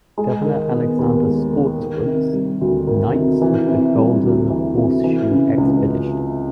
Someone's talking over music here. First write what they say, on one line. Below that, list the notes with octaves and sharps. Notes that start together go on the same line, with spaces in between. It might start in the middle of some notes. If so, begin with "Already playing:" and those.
Governor Alexander Spotswood's "Knights of the Golden Horseshoe Expedition".
G#3
D#3
B3
D#2
G#3
D#3
D#3
C3
G3
D2
D#3
C3
E3
C3
G3
D2
E3
C3
E3
C#3
C#2